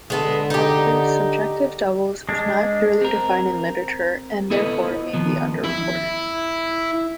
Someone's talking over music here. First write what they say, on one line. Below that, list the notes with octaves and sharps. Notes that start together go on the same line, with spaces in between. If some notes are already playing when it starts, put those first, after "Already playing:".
However, subjective doubles is not clearly defined in literature, and therefore, may be under-reported.
D3 G#3 B3 A4
D#4 G4
G#3 D4
C4 A#4
B3 E4 A4 B4 D#5
D#3 F3 B3
E4